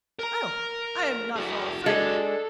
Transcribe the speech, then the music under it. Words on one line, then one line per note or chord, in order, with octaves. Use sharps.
'Oh! I'm not at all afraid.
A#4 A#5
A#1
D2 F#4 G#4
G#3 D4 A4